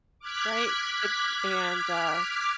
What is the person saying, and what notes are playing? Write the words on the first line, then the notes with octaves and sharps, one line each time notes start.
right, eh and, uh,
D6 F6 F#6 G#6 B6